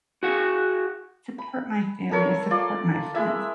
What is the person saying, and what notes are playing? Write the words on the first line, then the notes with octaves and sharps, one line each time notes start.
support my family. I support my friends.
F#4 G#4 F#5
B5
A4 A#4 C#5 C6
F4 D5 C6
G#3 E4 E5